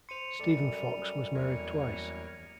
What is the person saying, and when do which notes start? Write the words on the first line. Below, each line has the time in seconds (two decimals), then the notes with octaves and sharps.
Stephen Fox was married twice.
0.09 C5 C6 C#7 D#7 F7
0.40 F#2 G3 A4 D5
1.35 E2 A#3 C#5